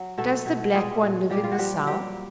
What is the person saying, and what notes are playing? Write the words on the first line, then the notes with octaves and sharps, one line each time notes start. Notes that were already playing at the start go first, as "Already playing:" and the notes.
Does the Black One live in the south?
Already playing: F#3
B2 A3 A4
B2
A#2 G#3 G#4
A#2
A#2 G3 G4
F4
F#4
F3 G3 G4
F#3 G3 G4